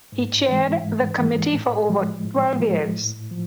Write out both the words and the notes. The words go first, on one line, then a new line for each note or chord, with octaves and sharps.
He chaired the committee for over twelve years.
G#2
E3 G#3
G#2
E3 G#3
A2
F3 G#3
A2
F3 G#3
A2
F3